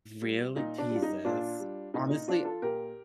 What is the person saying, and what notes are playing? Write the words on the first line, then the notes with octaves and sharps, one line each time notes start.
Really? Jesus. Honestly
G3
A#2 D#4
D4
G3
F4
D#4
A#2 D4 F4
G3
A#2 D#4
D#4
F3 D4 F4
F4 A4
A#2 G4 A#4